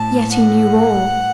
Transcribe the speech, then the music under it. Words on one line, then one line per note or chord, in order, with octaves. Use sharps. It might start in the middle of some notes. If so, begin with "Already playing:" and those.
Yet he knew all.
Already playing: A2 A5
F#5